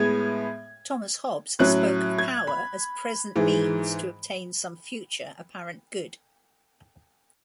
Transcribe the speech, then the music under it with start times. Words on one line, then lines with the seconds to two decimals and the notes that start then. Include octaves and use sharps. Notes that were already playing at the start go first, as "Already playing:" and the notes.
Thomas Hobbes spoke of power as present means to obtain some future apparent good.
Already playing: A2 G#3 B3 G#6
1.59 A2 F#3 C#4 F#6
2.18 G#6
2.47 B5
3.36 G#2 E3 G#3